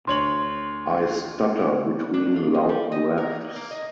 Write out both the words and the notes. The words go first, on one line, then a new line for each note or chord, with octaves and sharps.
I stutter between loud breaths.
D2 C#5 C6 F#7
D4
F4
D#5
G3
D#5
A#4
A#3
D#5